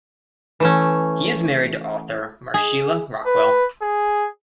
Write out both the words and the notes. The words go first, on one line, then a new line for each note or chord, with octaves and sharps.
He is married to author Marsheila Rockwell.
E3 A3 C#4
G#4
B4
G#4